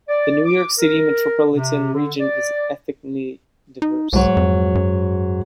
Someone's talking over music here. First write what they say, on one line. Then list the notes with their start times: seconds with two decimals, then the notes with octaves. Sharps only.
The New York City metropolitan region is ethnically diverse.
0.08 D5
0.45 D6
0.78 A#4
1.54 C3
1.93 D3
2.20 D5
3.82 D#4
4.13 C2 G#2 F#3
4.37 F2
4.75 F#2